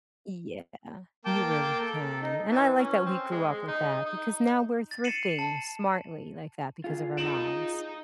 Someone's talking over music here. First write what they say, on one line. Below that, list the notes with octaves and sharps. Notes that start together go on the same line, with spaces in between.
Y yeah, you really can and I like that we grew up with that, because now we're thrifting smartly like that because of our moms.
A#3 G5 A5 D6
A4
D#4
E3
C#4
C4
G#3
G#3
D#4
D#4
A6
C7 C#7 D#7 E7 F#7
A5
F4 G#4
D#4 D7 E7 F#7